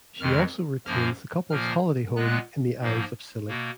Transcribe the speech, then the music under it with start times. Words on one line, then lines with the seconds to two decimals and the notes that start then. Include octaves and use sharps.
She also retains the couple's holiday home in the Isles of Scilly.
0.20 F2 D#3 G#3 F6
0.85 F#2 F3 A#3 F6
1.50 A#2 F3 A#3 F6
2.16 A#2 G#3 B3 F#6
2.81 G#2 F3 A#3
3.47 B2 A#3